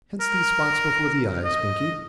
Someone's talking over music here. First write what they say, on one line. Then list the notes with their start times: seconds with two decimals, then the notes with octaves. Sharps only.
Hence these spots before the eyes, Binkie.
0.21 A#4
1.44 D#5